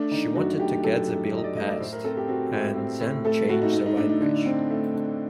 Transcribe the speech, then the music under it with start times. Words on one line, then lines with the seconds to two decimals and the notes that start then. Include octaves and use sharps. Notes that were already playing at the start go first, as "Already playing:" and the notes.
She wanted to get the bill passed and then change the language.
Already playing: A3 D4
0.11 D#3 D#4
0.35 F#2 F#4
0.60 A3 G4
0.84 F#2 A4
1.08 F#2
1.32 F#2 D#5
1.44 D5
1.57 A3 D#5
1.69 D5
1.80 A2 C5
1.93 A#4
2.04 C4 A4
2.17 G4
2.28 C4 F#4
2.53 A2
2.77 C4
3.01 A2
3.25 A3 A4
3.49 A2 F#4
3.62 D#4
3.73 A3 D#4
3.86 D#4
3.97 A3 D4
4.09 D#4
4.21 D3
4.46 C4
4.70 A3
4.94 D3